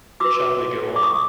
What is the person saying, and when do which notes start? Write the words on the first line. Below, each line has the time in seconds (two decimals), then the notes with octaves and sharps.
Shall we go on?
0.20 F#4 B4 D6 E6
0.96 D6
1.03 C#6 D#6